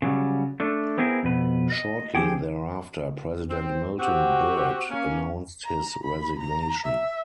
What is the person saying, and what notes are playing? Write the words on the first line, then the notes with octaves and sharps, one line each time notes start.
Shortly thereafter, President Milton Byrd announced his resignation.
C#3 F#3 G3
A3 D4
B3 C4 E4 G#4 A#4
F2 B2 B4
D#5
F3 C4 G4 G#4 G5
C4
C4 F#4 G4
A#3 C#4
A#5
B5
A#5
E5